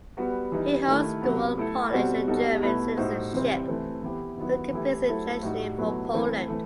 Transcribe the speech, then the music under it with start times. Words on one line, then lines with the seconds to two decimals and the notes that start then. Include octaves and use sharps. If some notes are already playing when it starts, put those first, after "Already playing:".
He holds dual Polish and German citizenship but competes internationally for Poland.
0.17 G3 B3 F#4 B4
0.52 E3 G3 D#4
0.88 D#3 A3 E4
1.22 C3 F#3 B3
1.58 A3 E4 A4
1.92 B2 G3 C4 F#4
2.27 B2 G3 D#4 F#4 A4
2.62 B2 A3 E4 B4
2.97 A2 G3 D#4 F#4 C5
3.33 C3 E3 G3 C4
3.68 E3 A3 C4
4.03 E3 B3 E4 G4
4.37 D#3 F#3 B3 E4 B4
4.73 E3 A3 E4 G4
5.08 F#3 A3 E4 A4 C5
5.43 A2 G3 D#4 F#4
5.78 B2 F#3 A3 E4 B4
6.14 E3 A3 C4 E4
6.48 E3 A3